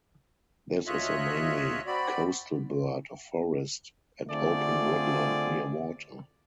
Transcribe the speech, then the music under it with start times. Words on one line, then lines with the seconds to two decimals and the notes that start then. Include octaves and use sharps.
This is a mainly coastal bird of forest and open woodland near water.
0.87 D2 F4 C#5 D#5 E5 F#6
1.86 C4 F#4 D5 B5
4.29 D3 A3 C4 F4 G#4 D5